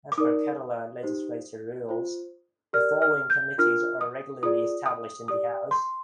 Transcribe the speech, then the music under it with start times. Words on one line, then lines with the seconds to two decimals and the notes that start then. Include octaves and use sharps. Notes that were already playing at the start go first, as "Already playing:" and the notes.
As per Kerala Legislature Rules, the following committees are regularly established in the house.
0.12 D6
0.18 D#4 A#4 D5 D#6
1.03 D#4 G4 C5
1.89 F4 C5
2.73 G4 A#4 D5 F6
3.02 F6
3.30 G6
3.58 D4 F4 A#4 F6
4.01 D#6
4.43 F4 G#4 D5 D#6
4.86 D#6
5.28 G4 D5 D#6
5.71 C6